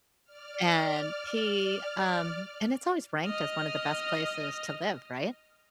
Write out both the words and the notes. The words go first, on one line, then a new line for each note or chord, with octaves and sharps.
and he, um and it's always ranked as one of the best places to live, right?
D5 F6
D#5 F6